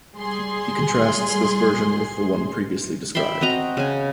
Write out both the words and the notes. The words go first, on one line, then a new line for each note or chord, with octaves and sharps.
He contrasts this version with the one previously described.
G3 G#4 C6
E5 G5 B5 C6
C4 F#4 D#5 A#5
C#3 G#5